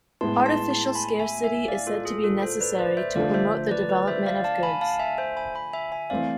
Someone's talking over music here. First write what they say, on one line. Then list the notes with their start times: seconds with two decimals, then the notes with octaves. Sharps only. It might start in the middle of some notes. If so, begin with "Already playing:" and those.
Artificial scarcity is said to be necessary to promote the development of goods.
0.21 A2 G#3 B3 E4 A5 C6
0.46 A5 C6
0.70 A5 C6
0.95 G#5 B5
1.19 E5 G#5
1.44 E5 G#5
1.68 D5 F5
1.87 F4 A4
2.05 G#4
2.24 F4 A4
2.42 A4 C5
2.61 B4 D5
2.79 B4 D5
2.97 C5 E5
3.16 D3 F3 A3 D4 A4 D5 F5
3.34 C5 E5
3.71 B4 D5
3.89 B4 D5
4.08 C5 E5
4.26 D5 F5
4.44 F5 A5
4.63 G#5 B5
4.81 F5 A5
4.99 E5 G#5
5.18 C5 E5
5.37 G#5 B5
5.55 G#5 B5
5.73 E5 G#5
5.92 E5 G#5
6.10 E3 A3 C4 D5 F5